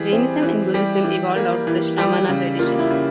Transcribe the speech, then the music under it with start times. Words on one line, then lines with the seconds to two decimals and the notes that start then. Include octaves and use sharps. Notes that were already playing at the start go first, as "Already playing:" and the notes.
Jainism and Buddhism evolved out of the Shramana tradition.
Already playing: E3 G3 G#4
0.13 C4
0.42 E3
0.74 G3 G4
1.04 E3
1.36 A#3
1.67 E3
1.98 G3 G4
2.29 C#3
2.59 A#3 F4
2.79 E4
2.90 C#3